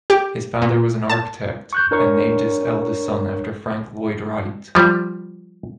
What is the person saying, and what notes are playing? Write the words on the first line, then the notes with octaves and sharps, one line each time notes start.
His father was an architect and named his eldest son after Frank Lloyd Wright.
G4
A#2
A5
C#6 F#6 G6
D4 A#4 C#5 C#6
F3 G3